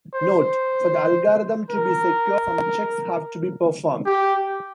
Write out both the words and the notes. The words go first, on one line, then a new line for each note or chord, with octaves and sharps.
Note: for the algorithm to be secure some checks have to be performed.
C5
A#4
G4